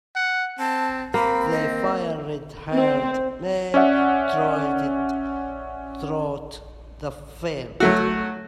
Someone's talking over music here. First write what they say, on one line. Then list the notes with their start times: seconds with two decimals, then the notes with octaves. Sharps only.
The fiery red-haired man trotted through the field.
0.16 F#5
0.59 C4 A5
1.14 A#3 C4 B5
1.51 D#5
2.73 C4
3.74 C#4 D5 E5 F#5
7.80 F#3 A3 F#4